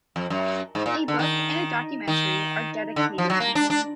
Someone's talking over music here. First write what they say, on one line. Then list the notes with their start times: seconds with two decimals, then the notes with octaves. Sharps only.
A book and a documentary are dedicated to him.
0.16 F2
0.30 F#2
0.75 G#2
0.86 A#2
1.08 D3
1.19 D#3
2.08 D#3
2.96 D3
3.18 F3
3.30 F#3
3.40 A#3
3.55 D4
3.70 D4